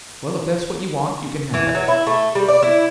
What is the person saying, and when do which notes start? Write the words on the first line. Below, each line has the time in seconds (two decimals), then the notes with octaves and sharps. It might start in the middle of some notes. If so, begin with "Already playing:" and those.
Well, if that's what you want, you can have it.
1.54 E3
1.75 F#3
1.88 E4
2.07 A3
2.35 G3
2.49 D5
2.63 E4